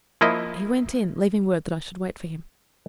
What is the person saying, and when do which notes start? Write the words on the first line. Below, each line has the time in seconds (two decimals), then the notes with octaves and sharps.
He went in, leaving word that I should wait for him.
0.21 F3 A#3 E4 D#5